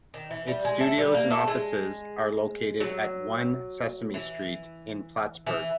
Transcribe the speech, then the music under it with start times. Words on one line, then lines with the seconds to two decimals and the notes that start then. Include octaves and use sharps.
Its studios and offices are located at One Sesame Street in Plattsburgh.
0.14 D#3
0.31 E3
0.48 G3
0.65 G#3
0.80 A3
0.98 G3
1.14 A#3
1.30 A3
1.48 G#3
2.80 F#3
4.14 E3
5.46 E3